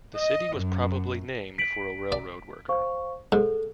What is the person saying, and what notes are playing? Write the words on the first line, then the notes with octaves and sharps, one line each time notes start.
The city was probably named for a railroad worker.
D#5
F#2
B6 D7 F#7
D5
C5 F5 C#6
G#2 A4